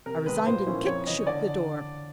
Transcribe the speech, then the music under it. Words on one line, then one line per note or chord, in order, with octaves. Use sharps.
A resounding kick shook the door.
C3 A#4
D#3 G#3 B4
A#2 C5
F3 A#3 C#4 E4
F2 C#5
C#3 E3 D#5
D3 D5